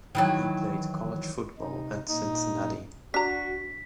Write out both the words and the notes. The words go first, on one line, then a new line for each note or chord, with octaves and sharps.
He played college football at Cincinnati.
D#3 E3 F#3
C3 D#4
A#2 D#4
D4 F#4 A#5 B6